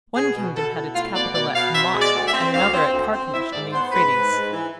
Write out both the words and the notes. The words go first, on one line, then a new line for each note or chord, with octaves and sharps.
One kingdom had its capital at Hamath and another at Carchemish on the Euphrates.
B2 G#4
B2
B2 A4
E4
A3 F4
B2 D5
B2 D5
B2 F5
C4 E5
G#3
D5
D2
E5
C4
D2 F5
C4
D2
C4
E4 E5
G#2 D5
B3 C5
G#2 B4
G#2
G#2
E3